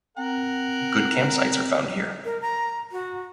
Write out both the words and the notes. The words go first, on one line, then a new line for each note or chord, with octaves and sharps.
Good campsites are found here.
C4 A#4 F#5
A#4
A#5
F#4